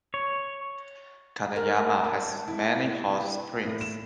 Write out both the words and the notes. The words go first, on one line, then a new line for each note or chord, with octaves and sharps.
Kaneyama has many hot springs.
C#5
A#4
A5
E4
A2
E7